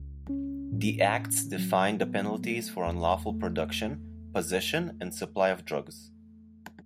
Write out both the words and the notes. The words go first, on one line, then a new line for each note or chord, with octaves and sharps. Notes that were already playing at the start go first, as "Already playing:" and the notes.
The acts define the penalties for unlawful production, possession and supply of drugs.
Already playing: C#2
C#4
A2
A2
F#3
B3
A3
E2
A3